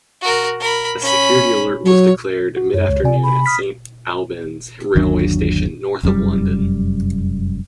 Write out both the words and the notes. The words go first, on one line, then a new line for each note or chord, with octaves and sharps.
A security alert was declared, mid-afternoon, at Saint Albans railway station, north of London.
F#4 A#4
A#4 B5
C#4 B5
F#3 C#5
F#4
F#2 C#5
C#2
C3 D5 G#5
B5
D#6 F6 B6
G1 D#2 F#3 D4
F1 F#2 B2 G3